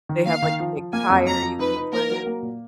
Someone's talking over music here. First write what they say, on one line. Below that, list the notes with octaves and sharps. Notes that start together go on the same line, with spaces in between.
They have, like, a big tire you can flip
D#3
A#3 F5
D#3
F3
F3
A#3 G#5
F2
F2 A#5
F3
D#4 B4
D#4
A#3 A#4
F#3
A#3
A#2